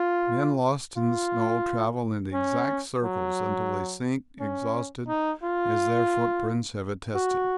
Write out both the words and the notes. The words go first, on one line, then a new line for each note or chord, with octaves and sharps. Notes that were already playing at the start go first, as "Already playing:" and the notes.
Men lost in the snow travel in exact circles until they sink, exhausted, as their footprints have attested.
Already playing: F4
F4
C#4
F#3
C#4
D#4
F4
F#4